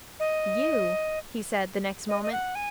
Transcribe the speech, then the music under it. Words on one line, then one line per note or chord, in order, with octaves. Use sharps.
"You?" he said, the next moment.
D#5
D#5
D#5
F#5
G#5